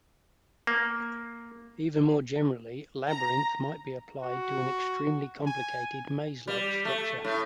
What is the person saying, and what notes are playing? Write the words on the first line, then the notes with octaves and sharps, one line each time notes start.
Even more generally, "labyrinth" might be applied to any extremely complicated maze-like structure.
A#3
A#5
F#4
G#5
G3
A3
A2